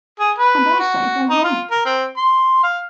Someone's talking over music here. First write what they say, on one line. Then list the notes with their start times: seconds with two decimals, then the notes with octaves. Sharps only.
And I say they're wrong.
0.20 G#4
0.38 B4
0.80 F#4
1.30 D#4
1.44 F4
1.71 A#4
1.85 C4
2.17 C6
2.63 F5